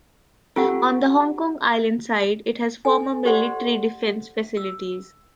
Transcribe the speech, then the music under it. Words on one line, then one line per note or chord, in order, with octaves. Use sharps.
On the Hong Kong Island side, it has former military defence facilities.
C4 F4 G4 A4 F#5
A4 G#5
G4 A4 C5 D5 F#5 C6
E6